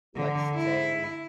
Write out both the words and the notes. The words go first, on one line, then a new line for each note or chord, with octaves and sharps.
let's say,
D3
E4